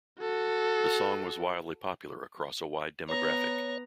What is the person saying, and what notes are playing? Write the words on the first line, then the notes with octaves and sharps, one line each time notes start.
The song was wildly popular across a wide demographic.
F#4 A4
B3 C#5 A#5